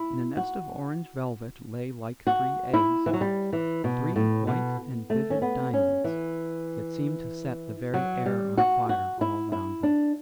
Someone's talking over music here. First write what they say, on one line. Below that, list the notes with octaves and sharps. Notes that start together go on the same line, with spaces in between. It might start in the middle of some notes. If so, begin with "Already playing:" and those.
In a nest of orange velvet lay like three eggs, three white and vivid diamonds that seemed to set the very air on fire all round them.
Already playing: E4
F#4
F#4
E4
E3
F#3
G3
E3
B2
A2
B2
A3
C#4
B3
C#4
E3
F#3
G3
F#4
F#4
E4
E4
D4